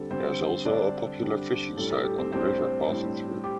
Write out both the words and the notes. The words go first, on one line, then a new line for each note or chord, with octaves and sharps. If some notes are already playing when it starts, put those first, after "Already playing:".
There is also a popular fishing site on the river passing through.
Already playing: D3 G3 C4 A4
D3 G3 C4 C5
D3 G3 C4 D4 D5
D3 G3 C4
A2 G3 D4 A4
A4
G4
C4 C5
A2 G3 C4 D4 C5
A2 G3 D4
G4